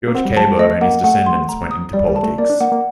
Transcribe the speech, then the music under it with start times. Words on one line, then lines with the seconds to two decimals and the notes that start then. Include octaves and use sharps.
George Cabot and his descendants went into politics.
0.08 A#3
0.15 C4 F#5
0.25 G3
0.37 F#3 A5
0.47 G3
0.59 A3 D#5
0.81 A#3 F#5
1.04 A3 F#5
1.26 C6
1.49 A#5
1.71 D#6
1.93 G3 D5
2.08 G3
2.16 A5
2.23 A3
2.38 A#3 D5
2.50 D4
2.60 A#3 F#5
2.72 A#3